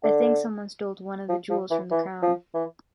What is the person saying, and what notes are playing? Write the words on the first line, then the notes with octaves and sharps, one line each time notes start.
I think someone stole one of the jewels from the crown.
D3
F3
F3
E3
E3
F3
E3